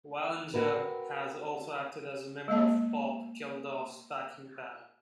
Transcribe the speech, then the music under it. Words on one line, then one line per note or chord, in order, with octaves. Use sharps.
Wallinger has also acted as a member of Bob Geldof's backing band.
C4 F#4 A#4 B4
G#3 A#3 D#5 A5